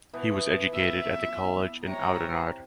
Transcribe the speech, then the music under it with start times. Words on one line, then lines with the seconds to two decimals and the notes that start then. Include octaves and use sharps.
He was educated at the college in Oudenaarde.
0.14 B2 E3 B3
0.73 E5
1.86 C3 C#5 A#5